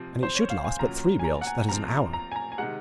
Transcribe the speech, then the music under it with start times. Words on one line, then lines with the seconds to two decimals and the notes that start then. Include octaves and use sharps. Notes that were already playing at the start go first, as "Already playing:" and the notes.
And it should last but three reels, that is, an hour.
Already playing: C3 F3 C4
0.23 C5
0.35 C#5
0.50 F5
0.65 G#5
0.79 A#2 F#3 C#4 A#5
1.19 G#5
1.24 A#5
1.41 F#5
1.47 G#5
1.69 A#2 F3 C4 A#5
2.13 A#5
2.32 G#5
2.36 A#5
2.52 G#5
2.58 C3 D#3 G#3 F#5